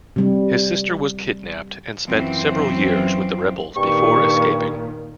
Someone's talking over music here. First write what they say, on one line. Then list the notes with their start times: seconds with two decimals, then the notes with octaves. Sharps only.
His sister was kidnapped and spent several years with the rebels before escaping.
0.16 C3 G3
2.07 F#2 E3 F3 C4
3.76 G2 A#2 D#3 C#6